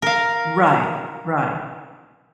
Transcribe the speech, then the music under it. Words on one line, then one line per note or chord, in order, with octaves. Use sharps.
Right. Right.
A#4 F5